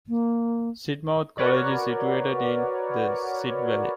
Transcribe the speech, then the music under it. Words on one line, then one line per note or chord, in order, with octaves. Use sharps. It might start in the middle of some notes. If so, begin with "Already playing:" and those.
Sidmouth College is situated in the Sid Valley.
A#3
F#4 A#4 B4 C#5 D5